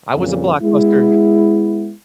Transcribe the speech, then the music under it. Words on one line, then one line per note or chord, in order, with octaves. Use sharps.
I was a Blockbuster
F2 A#2 C#3 G3
G#3 B3 E4